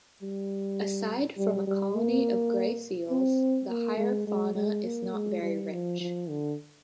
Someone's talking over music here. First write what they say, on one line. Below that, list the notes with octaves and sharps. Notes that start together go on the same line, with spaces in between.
Aside from a colony of grey seals, the higher fauna is not very rich.
G3
G3
G3
A#3
C4
A#3
G#3
G#3
G#3
A#3
G#3
G3
F3
F3
D3